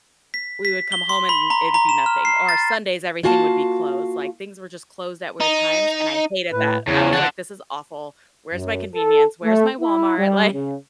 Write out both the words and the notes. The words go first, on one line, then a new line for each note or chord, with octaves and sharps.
we would come home and it would be nothing, or Sundays, everything would be closed, like things were just closed at weird times, and I hated that, I was like, "This is awful. Where's my convenience? Where's my Walmart?" Like
B6
B6
G7
C6
B5
A#5
A#5
E7
F6
C7
A6
A#3 F4 F#4 F5 G#5 A5
D#4
A2 B4
E2 C#3 C#5
A4 F#5
F#2
A4
A3
E4
G3
C#3